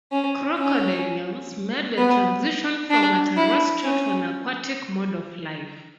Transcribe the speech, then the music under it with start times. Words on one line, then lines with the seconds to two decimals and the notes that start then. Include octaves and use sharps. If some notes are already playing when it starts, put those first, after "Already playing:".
Crocodilians made the transition from a terrestrial to an aquatic mode of life.
0.12 C#4
0.58 C#4
1.98 B3
2.90 D4
3.37 E4
3.84 C#4